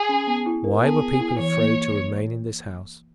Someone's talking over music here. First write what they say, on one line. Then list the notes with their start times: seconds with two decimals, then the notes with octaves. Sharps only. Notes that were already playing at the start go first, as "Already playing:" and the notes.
Why were people afraid to remain in this house?
Already playing: G#4
0.09 C#4
0.27 B3
0.46 E4
0.64 A#4
0.83 B3 G#4
1.02 B3
1.20 E4
1.39 E3 C#5
1.57 A#3